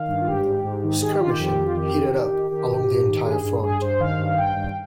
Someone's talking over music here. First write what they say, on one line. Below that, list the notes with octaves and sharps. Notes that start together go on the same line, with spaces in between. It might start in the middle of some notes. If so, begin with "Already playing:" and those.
Skirmishing heated up along the entire front.
Already playing: D#3 F5
G2
F4
G#2 G4
G#2
G#2
D#3
D#3 G#4
G4
D#3 F4
G4
F2
F2
F4
D#3 G4
D#3
D#3
D#3
D#3 G4
G#2
G#2
D#3
G2 G#4
G2
G2 G#4
G2 C5
D#3 F5
G2
G2 G5
G2